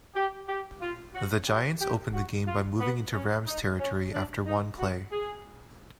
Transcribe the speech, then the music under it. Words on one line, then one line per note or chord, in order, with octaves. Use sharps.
The Giants opened the game by moving into Rams' territory after one play.
G4
G4
F4
F#4
G4
G4
F#4
F4
B3
C#4
D#4
C#4
D4
D#4
F#4
G#4